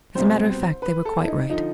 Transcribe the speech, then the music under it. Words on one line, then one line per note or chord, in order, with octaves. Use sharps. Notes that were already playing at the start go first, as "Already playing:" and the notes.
As a matter of fact they were quite right.
C2 B2 G3 C4 C5
C5
B4
A4
E4
D#4
D3 F3 D#4